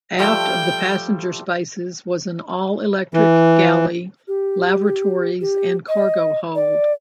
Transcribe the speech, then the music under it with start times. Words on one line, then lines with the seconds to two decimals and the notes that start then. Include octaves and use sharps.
Aft of the passenger spaces was an all-electric galley, lavatories, and cargo hold.
0.19 F3 G3 A3 G5
3.14 E3
4.28 G4
5.41 G4
5.89 D#5
6.55 D5